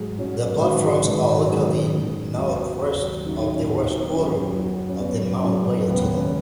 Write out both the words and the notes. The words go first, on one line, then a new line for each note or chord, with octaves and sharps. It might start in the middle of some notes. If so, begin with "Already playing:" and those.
The platforms are located northwest of the west portal of the Mount Royal Tunnel.
Already playing: G#2 F#3 G#4
G#2 F#3 C#4
G#2 D#3 F#3 F#4
G#4
G#2 D#3 F#3 B4
F#4
F#2 D#3 G#3 G#4
F#2 D#3 G#3
D#2 C#3 F#3 F#4
D#2 C#3 F#3
D#2 C#3 F#3 D#4
D#4
C#4
D#2 C#3 F#3 C#4
D#4
F#2 F#3 C#4
F#2 F#3
C#4
F#2 C#3 F#3 B3
F#2 C#3 F#3
D#2 C#3 G#3 B3
C#4
C#4